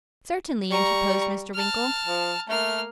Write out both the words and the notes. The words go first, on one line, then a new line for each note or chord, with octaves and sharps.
'Certainly,' interposed Mr. Winkle.
G3 A#5 C#6
A5 F6
F3
A3 A#3 F6